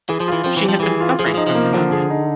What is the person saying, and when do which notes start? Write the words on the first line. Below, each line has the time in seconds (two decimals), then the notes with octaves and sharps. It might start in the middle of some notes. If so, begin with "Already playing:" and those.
She had been suffering from pneumonia.
0.09 E3 G#4
0.20 F3
0.28 E3 F4
0.44 F3 C4
0.57 E3
0.64 F3 G3
0.80 E3 G#4
1.00 F4
1.19 F3 G#4
1.26 E3
1.34 F3 D#4
1.47 F3
1.55 A#3
1.73 D3 F3
1.92 G#4
2.10 D#4